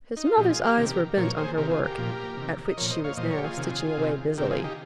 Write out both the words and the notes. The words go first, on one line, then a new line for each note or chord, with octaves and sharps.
His mother's eyes were bent on her work, at which she was now stitching away busily.
D#4
F4
A#2 F3 D#4 G4
F4 G#4
G4 A#4
C3 D#3
A#2 F3 A#4 C#5
G#4 C5
C3 D#3 G4 A#4
F4 G#4
G4 A#4
A#2 F3
C3 D#3
D#5
A#2 F3 A#4 C#5
C5 D#5
C#5 F5
A#2 F3 C5 D#5
A#4 C#5
G4
F4 G#4
C3 D#3
C3 D#3
C3 D#3 G4 A#4
F4 G#4
D#4 G4